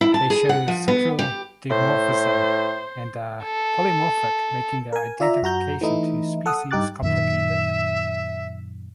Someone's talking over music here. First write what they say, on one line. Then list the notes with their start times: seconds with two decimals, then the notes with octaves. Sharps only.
They show sexual dimorphism and are polymorphic making their identification to species complicated.
0.01 E4
0.14 A5
0.30 G#4
0.49 F#5
0.68 F3
0.88 B3
1.19 G4
1.70 A2 C5
3.43 A4
4.93 A#4 G#5
5.20 F4 D5 E5 A#5
5.42 F#2 F#4 A#5 G6
5.81 E3 A3 D#4 E4
6.46 A4 F#5 D#6
6.71 G2 D#4 G4 D6 F#6 A6
7.03 F#2 A#2 D#3 E5